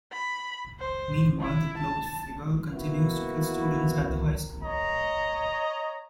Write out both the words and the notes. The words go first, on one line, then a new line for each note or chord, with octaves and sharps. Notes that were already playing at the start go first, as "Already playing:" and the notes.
Meanwhile, the cloaked figure continues to kill students at the high school.
B5
C5
E4
A5
A#3 B3 E4 F#4
C#5 D#5 A#5